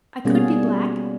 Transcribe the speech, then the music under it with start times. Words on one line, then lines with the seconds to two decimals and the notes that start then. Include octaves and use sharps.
I could be black.
0.25 B2 G3 A#3 B3 C#4 G#4